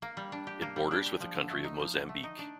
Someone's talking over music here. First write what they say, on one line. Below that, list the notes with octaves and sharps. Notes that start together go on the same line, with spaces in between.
It borders with the country of Mozambique.
A#3
G3
D4
G4
A#3
G3
D4
G4
F3
D3
A3
D#4
F3
D3
A3
D#4
D4